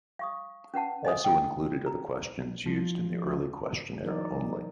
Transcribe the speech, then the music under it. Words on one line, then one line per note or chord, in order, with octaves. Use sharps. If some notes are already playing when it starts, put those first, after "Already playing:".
Also included are the questions used in the early questionnaire only.
F5 C#6 D#6
C#4 B4 F#5 A5
D#5 G#5 D#6
G5
A#5
F3
E3 F#3 D#4 A#4 D5